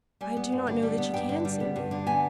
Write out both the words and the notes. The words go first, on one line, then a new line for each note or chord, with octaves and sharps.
"I do not know that you can see me."
G3 G#5
B3
G2
D3
G3
B3
G2 G5
D3
G3
B3
G2
D3
B3 G#5